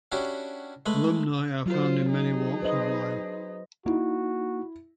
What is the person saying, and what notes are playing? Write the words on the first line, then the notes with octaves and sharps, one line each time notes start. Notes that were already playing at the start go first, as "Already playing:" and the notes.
Alumni are found in many walks of life.
C#4 D4 E4 F#4 G4
G#3 A3 B4
F#3 F4 C5
D#4 G#4
B4 C5 D#5
A#3 D#4 E4 F#4